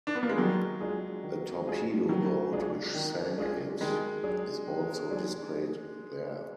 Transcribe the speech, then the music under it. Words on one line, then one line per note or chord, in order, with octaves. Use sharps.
A torpedo boat which 'sank it' is also displayed there.
D4
B3
A#3
G#3
D#3 F#3
G#3 D4 F4 G#4
D#3
G#3 D4 F4 G#4
D#3 F#3
G#3 D4 F4 G#4
D#3
G#3 D4 F4 G#4
D#3 G#3
F#3 D4 G#4
D#3
F#3 D4 G#4